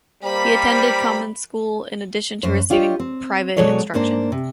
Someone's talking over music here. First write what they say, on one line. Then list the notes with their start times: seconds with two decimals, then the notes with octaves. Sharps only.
He attended common school in addition to receiving private instruction.
0.24 G3 A#3 C5 B5 B6
2.43 F#2 C5
2.70 D4 F4 G4 C#5 D#5
3.00 C4
3.57 B2 F#3 G#3 A4 C#5 D5
3.94 G#2 A#3 D4 C5
4.32 C3